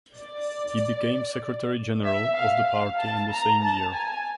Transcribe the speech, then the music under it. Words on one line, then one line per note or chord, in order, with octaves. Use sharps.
He became Secretary General of the party in the same year.
D5
E5
F5
F5
A5
A#5
A5
G#5